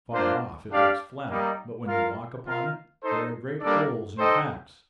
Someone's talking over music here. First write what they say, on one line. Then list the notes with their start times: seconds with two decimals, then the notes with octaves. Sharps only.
Far off it looks flat, but when you walk upon it, there are great holes and cracks.
0.13 A#3 D4 F4 C5
0.70 D4 G4 D5 F5
1.30 G3 A#3 D#4
1.86 F4 A#4 F5
2.45 F4 A#4 F5
3.03 D#4 A4 C5
3.60 G3 A#3 D4 A4 D5
4.19 D#4 A4 C5 D#5 G5